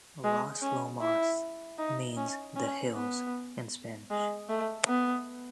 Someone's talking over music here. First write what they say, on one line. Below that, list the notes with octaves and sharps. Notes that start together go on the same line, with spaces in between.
Las Lomas means "the hills" in Spanish.
G#3
C#4
E4
D#4
C#4
C#4
B3
G#3
A3
B3